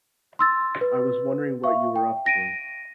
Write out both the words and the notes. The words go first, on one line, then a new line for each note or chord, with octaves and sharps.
I was wondering what you were up to.
C6 E6 A6
B4
E5 F5 C#6
G5
A#6 D7 D#7